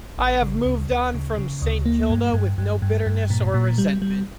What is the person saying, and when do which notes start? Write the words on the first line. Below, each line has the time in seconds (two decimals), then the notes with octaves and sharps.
I have moved on from Saint Kilda with no bitterness or resentment.
0.18 A1
0.42 C#3
0.65 D2
0.90 D2
1.14 C#3
1.38 C#3
1.62 D2
1.86 A#3
2.10 G2
2.33 G2
2.58 G2
2.82 G2
3.07 G2
3.30 A#2
3.54 A#2
3.78 G3
4.02 G3